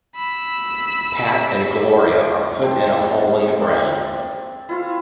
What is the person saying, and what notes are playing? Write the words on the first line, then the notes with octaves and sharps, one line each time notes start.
Pat and Gloria are put in a hole in the ground.
B5 E6
C4 C5 A5
C4 D5
E4 F4 F5